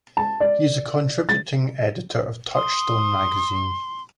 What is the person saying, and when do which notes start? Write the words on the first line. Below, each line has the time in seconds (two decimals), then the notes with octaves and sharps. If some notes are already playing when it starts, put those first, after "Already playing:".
He is a contributing editor of "Touchstone" magazine.
0.17 A5
0.40 D5
1.29 A6
2.55 C6 D#6